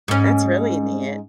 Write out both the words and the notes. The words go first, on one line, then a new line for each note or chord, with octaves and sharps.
That's really neat.
G#2 C#4